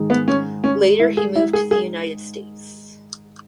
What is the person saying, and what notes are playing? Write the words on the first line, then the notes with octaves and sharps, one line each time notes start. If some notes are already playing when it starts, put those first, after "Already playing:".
Later he moved to the United States.
Already playing: G#2 D#3 G#3
B3
C#4
C#4
E4
G#4
E4
G#4
G#4